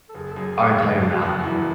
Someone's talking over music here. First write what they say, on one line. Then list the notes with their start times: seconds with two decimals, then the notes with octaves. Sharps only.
our entire math curric
0.09 A4
0.14 F#1 G#4
0.32 A4
0.36 F#2 G#4
0.57 A3 G#4
0.79 F#1
1.00 B2 F#4
1.08 G#4
1.15 F#4
1.22 F#1
1.44 E2 E4